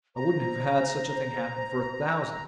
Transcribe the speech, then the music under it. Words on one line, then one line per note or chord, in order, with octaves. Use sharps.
I wouldn't have had such a thing happen for a thousand!
C5 A#5